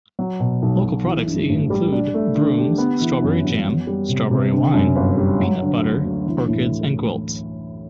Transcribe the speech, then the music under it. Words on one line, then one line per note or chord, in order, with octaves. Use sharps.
Local products include brooms, strawberry jam, strawberry wine, peanut butter, orchids and quilts.
F#3
B2
B1
B1
E3
G2
A1
G3
D4
A3
D3
G4
B3
E3
F#2
F#2
B3
G3
C3
C3
D3
F#2
G1
G3
F#3
D3
D2
D2
E3
A2